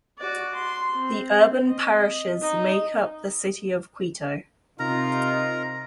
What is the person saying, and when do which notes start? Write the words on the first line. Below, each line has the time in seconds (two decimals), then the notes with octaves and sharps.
The urban parishes make up the city of Quito.
0.18 F#4 D5
0.55 C6
0.93 C4
1.68 D#5
2.41 D#4
4.79 C3 D#4 F4 A#4 A#5